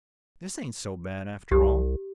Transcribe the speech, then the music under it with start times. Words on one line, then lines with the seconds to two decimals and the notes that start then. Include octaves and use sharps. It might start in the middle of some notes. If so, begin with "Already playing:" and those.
This ain't so bad, after all.
1.51 C2 G4